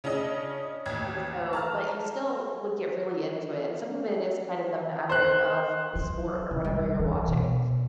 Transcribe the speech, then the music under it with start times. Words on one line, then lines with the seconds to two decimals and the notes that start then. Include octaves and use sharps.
and so but you still would get really into it, and some of it is kind of the magic of the sport or whatever you're watching,
0.04 C#3 C#4 D4 D#5 D#6
0.86 A1 D#2 G#6
1.53 A5 A#5 F6
5.09 C5 F#6
5.96 F#3
6.51 C#3
6.64 G3
6.99 E3
7.28 B2